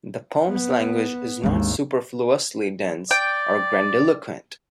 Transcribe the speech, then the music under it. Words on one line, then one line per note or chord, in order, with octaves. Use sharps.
The poem's language is not superfluously dense or grandiloquent.
B3
G#1 D#2 G#3 D4
D5 G5